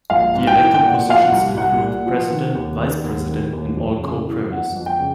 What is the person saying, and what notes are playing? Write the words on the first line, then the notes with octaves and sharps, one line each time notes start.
The elected positions include the President, Vice-President, and all Co-Premiers.
A#1 F5
G#2
G5
E3
G5
A#2 F#5
F3 F5
F#5
C2
C2 F#5
A#2
F3
D#3
D#2
D#3
D#2
D#3
D#2
F2
C#3
E3
G1 F#5
F2
G5
C#3